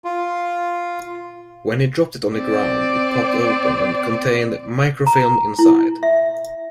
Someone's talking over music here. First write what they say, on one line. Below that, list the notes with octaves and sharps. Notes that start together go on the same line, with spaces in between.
When he dropped it on the ground, it popped open and contained microfilm inside.
F4
C4 D5
A#5
E4
E5